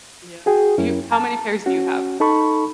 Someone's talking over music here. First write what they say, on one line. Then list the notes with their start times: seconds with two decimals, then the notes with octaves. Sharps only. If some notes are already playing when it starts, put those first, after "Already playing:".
Yeah. You how many pairs do you have?
0.46 F#4 G#4 G5
0.78 F#2 C#4 E4 A#4
1.12 A5
1.66 C#4 F#4
2.20 D#4 A4 A5 B5 C#6